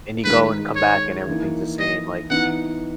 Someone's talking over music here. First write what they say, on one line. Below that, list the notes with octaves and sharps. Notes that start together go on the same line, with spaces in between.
and you go and come back and everything's the same, like
D#3 G#3 D#4 B4
C#5
E3 A#3 D#4
D#5
E3 B3 D#4 F#5